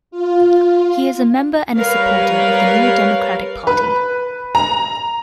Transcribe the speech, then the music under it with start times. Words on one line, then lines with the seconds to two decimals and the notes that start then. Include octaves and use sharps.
He is a member and a supporter of the New Democratic Party.
0.11 F4
1.76 G3 A#4 B4 C#5 F5
3.67 B4
4.55 A#5